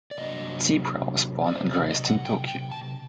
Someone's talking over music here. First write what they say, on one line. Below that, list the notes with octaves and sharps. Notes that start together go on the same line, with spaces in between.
Zeebra was born and raised in Tokyo.
D5
C3 F#3 A#3 D4 D#5
D5
C5
D5
D#5
F#5
G5
G5
A5